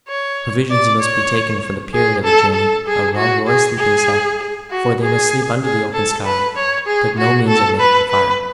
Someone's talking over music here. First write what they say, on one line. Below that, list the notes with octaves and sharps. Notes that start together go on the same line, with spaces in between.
Provisions must be taken for the period of the journey, a rug or sleeping sack--for they must sleep under the open sky--but no means of making a fire.
C#5
D5
C#5
G#4
A4
A4
G#4
F#4
G#4
G#4
F#4
G#4
G#4
A4
B4
C#5
G#4
F#4
A4
B4
B4